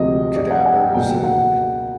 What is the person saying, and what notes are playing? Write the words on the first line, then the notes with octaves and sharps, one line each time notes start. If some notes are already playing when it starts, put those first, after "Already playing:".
cadavers and
Already playing: D2 C3 F3 G#3 D#5
D5
F#5
G#5
G5
C#2 B2 F#3 A#3 G5
F#5